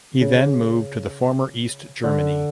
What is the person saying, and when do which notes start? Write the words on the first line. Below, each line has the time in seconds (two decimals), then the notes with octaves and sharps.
He then moved to the former East Germany.
0.21 C#3
2.04 D3